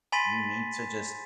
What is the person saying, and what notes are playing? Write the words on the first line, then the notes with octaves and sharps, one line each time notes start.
you need to just
G#5 B5 C6 A6 B6 D#7